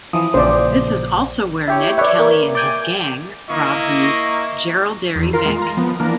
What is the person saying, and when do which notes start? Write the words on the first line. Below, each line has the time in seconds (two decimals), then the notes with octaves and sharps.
This is also where Ned Kelly and his Gang robbed the 'Jerilderie Bank'.
0.13 E3 F3 D#6
0.34 A#1 C#3 C5 D5
1.68 E4 G4 C#5
1.98 B4 C#5 D5 E5
2.19 A#3
2.55 D5 G5 G#5
3.49 A#3 E4 D#5 C#6
5.16 E2
5.33 D#3 F4 A#4 C7
5.45 G#3
5.58 F4 A#5
5.77 F3 B3
6.00 E3 A#3 D4 A#4